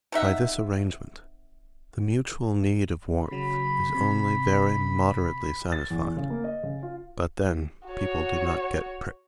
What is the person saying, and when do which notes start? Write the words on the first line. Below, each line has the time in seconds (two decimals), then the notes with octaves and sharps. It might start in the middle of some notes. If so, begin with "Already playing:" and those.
By this arrangement the mutual need of warmth is only very moderately satisfied; but then people do not get pricked.
0.12 C3 D#4 E5 F#5
3.31 C#3 F#3 B5
3.95 C3
5.72 A6
5.90 E2
6.17 C#3
6.30 A#3
6.44 D#5
6.63 C#3
6.83 F4
7.88 F#4 C#5